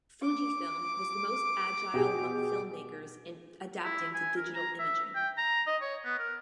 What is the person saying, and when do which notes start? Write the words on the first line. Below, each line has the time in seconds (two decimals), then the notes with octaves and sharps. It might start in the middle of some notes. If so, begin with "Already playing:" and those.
Fujifilm was the most agile among film makers in adapting to digital imaging.
0.23 D6
1.94 B2 G4 G#4
3.84 E4
4.14 G#5
4.36 A#4
4.55 A#5
4.79 E5
5.15 G5
5.38 A#5
5.67 D#5
5.82 C#5
6.05 B3
6.18 A#4